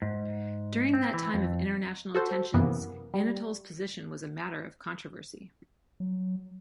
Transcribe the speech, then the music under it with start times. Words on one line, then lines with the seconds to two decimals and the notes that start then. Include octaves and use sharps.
During that time of international tensions, Anatole's position was a matter of controversy.
0.02 G#2
0.94 C4
1.14 E3
1.34 F2
2.15 F#4 A4 C5
2.54 F#2 C3 E3 A#3 B3
3.14 G3
6.00 F#3